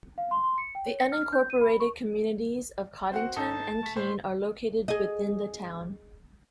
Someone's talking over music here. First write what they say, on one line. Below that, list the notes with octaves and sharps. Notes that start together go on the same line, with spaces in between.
The unincorporated communities of Coddington and Keene are located within the town.
F5
C6
C6
C#7
G5
C#5
C#7
F6
G6
D#7
B5
C#6
C4 F#4 F#5
G#1 D#4 A4 A5
A3 B6
A2 C5 C6
G#4 D#5